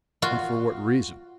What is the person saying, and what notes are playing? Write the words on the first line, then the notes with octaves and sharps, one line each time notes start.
"And for what reason?"
F4 F#4